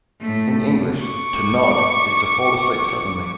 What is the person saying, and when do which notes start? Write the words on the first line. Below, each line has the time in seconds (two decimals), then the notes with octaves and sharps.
In English, "to nod" is to fall asleep suddenly.
0.20 A2 A3
1.05 C#6 D6